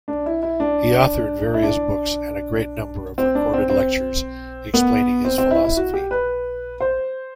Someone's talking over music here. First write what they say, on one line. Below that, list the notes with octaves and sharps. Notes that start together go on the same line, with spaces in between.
He authored various books and a great number of recorded lectures explaining his philosophy.
D4
E4
E4
D4
E4
D4
C4
D4
C4
C4
B3
C4
C4
E4
E4
F#4
G4
B4
C5